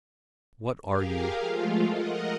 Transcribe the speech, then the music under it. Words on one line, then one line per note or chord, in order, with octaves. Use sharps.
What are you?
G4 G#4 A#4 F5
F3 G#3 A3 F4
A#4 D#5 F#5